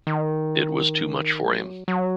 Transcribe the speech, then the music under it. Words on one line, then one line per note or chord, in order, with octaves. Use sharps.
It was too much for him.
D#3
G#3
F#3
F#3